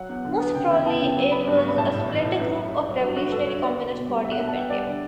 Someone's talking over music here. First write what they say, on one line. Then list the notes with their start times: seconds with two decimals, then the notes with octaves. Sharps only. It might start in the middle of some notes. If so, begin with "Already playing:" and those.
Most probably it was a splinter group of Revolutionary Communist Party of India.
Already playing: F#3 F#5
0.09 E2
0.25 D3
0.40 B3
0.55 C#3 G5
0.70 E3 G5
0.86 B3 A5
1.01 C#3 G5
1.16 F#3
1.31 B3 B5
1.47 G2
1.58 G2 C#6
1.68 B5
1.78 A2 A5
1.94 A2
2.09 E3
2.25 A2
2.39 F#2 B4
2.55 F#2
2.70 F#2
2.86 F#3
3.01 G2 F#4
3.16 D3 F#4
3.27 B4
3.32 G2 A4
3.47 D3 C#5
3.63 B3 D5
3.78 E2
3.93 B2
4.08 G3
4.24 B2 E5
4.32 F#5
4.39 B2 E5
4.48 A5
4.55 B3 G5
4.70 G3 D5
4.86 D3